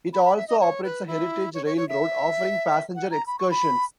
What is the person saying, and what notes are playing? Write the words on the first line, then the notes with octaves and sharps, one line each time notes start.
It also operates a heritage railroad, offering passenger excursions.
B5
B5
E5
D#5
C#5
B4
E4
C#5
C#5
C#5
E5
F#5
A#5
B5
C#6
B5